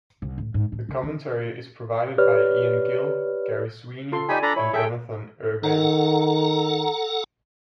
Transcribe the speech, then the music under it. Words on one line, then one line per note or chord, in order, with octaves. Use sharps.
The commentary is provided by Ian Gill, Garry Sweeney and Jonathan Ervine.
C2
A2
G#2
A2
C2
E3
G4 B4 C#5 D5 F6
F4 A4 C6
D#4 G4 D5 G#5 B5
D4 A4 A#5 B5
E4 C#5
G#4 A4 E5 G5
D#3 A4 F#5 A#5